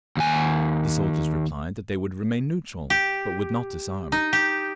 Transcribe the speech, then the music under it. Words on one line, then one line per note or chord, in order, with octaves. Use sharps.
The soldiers replied that they would remain neutral, but would not disarm.
D#2 G#5
G4
D#4
G4